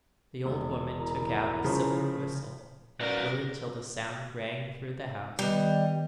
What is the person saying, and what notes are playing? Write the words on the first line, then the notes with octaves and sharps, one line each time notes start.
The old woman took out a silver whistle and blew it till the sound rang through the house.
E1
E4 A#4 A#5
C#3 F3 C5
F#4 A#4 B4 D5
D#3 G3 B3 B4 D#5